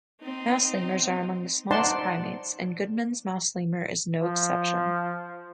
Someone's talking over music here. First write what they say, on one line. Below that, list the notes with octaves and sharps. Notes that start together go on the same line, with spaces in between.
Mouse lemurs are among the smallest primates, and Goodman's mouse lemur is no exception.
C4 D#4
D#4 C5 D5 F#5 A5 C6
F3